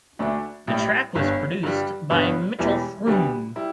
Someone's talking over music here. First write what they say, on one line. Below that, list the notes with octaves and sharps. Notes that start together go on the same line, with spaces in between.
The track was produced by Mitchell Froom.
D2 D3 A3 D4
A1 A2 G3
G1 G2 D3
G2 D3 G3
G1 G2 D3 B3
E1 E2 E3 G3
D2 D3 G3 B3 G4
G3 E4